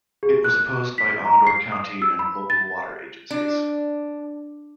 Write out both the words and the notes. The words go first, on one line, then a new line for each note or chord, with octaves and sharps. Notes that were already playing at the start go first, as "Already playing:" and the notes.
It was opposed by Amador County and local water agencies.
G#4
F#6
B6
A#5
C7
D#6
E6
B5
A6
D4